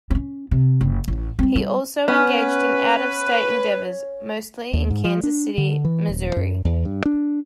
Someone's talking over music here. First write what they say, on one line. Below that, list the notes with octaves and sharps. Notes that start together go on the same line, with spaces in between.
He also engaged in out-of-state endeavors, mostly in Kansas City, Missouri.
C4 C#4
C3
F#1
A1
G3 C4
G3
B3 C#4 B4
D#2
G#2
F3
D4
D3
E3
D#1
F#2
E2
G2
D4